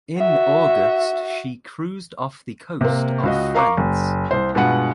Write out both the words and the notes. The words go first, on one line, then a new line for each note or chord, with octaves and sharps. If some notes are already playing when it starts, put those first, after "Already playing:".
In August she cruised off the coast of France.
F#4 E5
C3 A#3
C#2 F#4 D#5
A#4 F5 A#5 C#6 D6
F#1
C2 C5
G2 B2 G#3 F4 B4 F#5